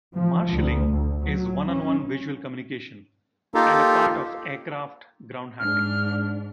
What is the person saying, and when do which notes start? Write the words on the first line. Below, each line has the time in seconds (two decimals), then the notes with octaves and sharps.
Marshalling is one-on-one visual communication and a part of aircraft ground handling.
0.15 F3
0.53 D2
0.90 D2
1.24 F#3
1.68 C#4
3.54 A#3 D#4 F4 G4 A4 A#4
5.59 G#2 D4 F6